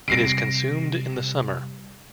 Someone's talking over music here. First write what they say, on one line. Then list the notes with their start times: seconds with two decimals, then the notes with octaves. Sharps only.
It is consumed in the summer.
0.08 C3 G3 A#6 C7 D7